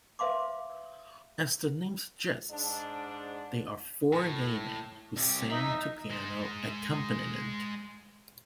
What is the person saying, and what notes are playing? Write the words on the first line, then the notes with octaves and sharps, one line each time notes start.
As the name suggests, they are four gay men who sing to piano accompaniment.
B4 E5 F5 C6 D6
G#2 D4
A2
C2 G4
E2 D#4 E5
G#3 C5